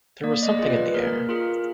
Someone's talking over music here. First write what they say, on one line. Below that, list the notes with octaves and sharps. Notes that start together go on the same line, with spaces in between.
There was something in the air.
A#3 D5
D#5
D5
F4 G#4
B4
A#3 A#4
F4 G#4 A#4